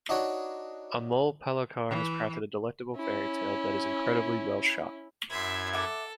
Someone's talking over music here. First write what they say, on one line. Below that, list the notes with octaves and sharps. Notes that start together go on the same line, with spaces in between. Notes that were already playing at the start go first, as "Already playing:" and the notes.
Amol Palekar has crafted a delectable fairytale that is incredibly well-shot.
D4 D#4 F#4 C#5
E3
C#4 E4
F#2 E4 E5 C6 G#6
A4 E5 F#5 D6